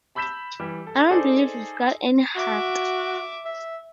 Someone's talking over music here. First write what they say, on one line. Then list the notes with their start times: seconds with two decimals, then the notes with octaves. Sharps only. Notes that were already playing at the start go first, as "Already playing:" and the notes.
I don't believe you've got any heart.
0.15 A5 B5 E6 G6 B6 E7
0.60 E3 G3 G4
0.87 A4
1.10 D#4 G#4 A4 C5 D5
2.36 F#4 E5 D6
3.45 E5